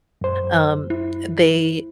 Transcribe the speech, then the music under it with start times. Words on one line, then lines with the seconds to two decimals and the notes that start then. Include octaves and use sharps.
um, they
0.21 F#2 C5
0.90 E4